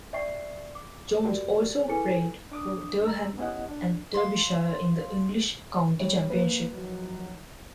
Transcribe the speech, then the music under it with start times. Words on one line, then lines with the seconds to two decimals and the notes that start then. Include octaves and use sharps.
Jones also played for Durham and Derbyshire in the English County Championship.
0.13 D5 E5 G5 C#6 C7
0.75 D6
1.24 F#4 G4 A#4 D5 G5
1.88 E4 G#4 A4 B4 G#5 C#7
2.52 D4 D6 D#6
3.06 A#5 E6
3.38 B3 C#4 E4 G4 D#5 F#5
3.69 D4
4.14 F5 C6
5.99 G3 C#5
6.30 A#3 B4
6.72 D#3 F3 F#3